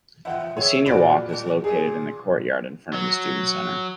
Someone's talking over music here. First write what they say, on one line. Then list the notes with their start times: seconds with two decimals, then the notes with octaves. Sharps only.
The Senior Walk is located in the courtyard in front of the Student Center.
0.25 E3 E5 F#5 G5
0.57 G#4 C#5 E5
0.86 A#2 F#4 D5 B5
1.29 F#3
1.64 A#2 G#4
2.93 F#3